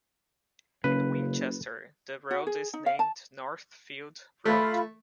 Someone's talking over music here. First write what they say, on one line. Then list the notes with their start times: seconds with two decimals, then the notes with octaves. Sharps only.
In Winchester, the road is named Northfield Road.
0.84 F#1 C#3 B4
2.31 F#4
2.47 G#4
2.74 D#4
2.86 F5
2.99 A5
4.46 A3 F4 B5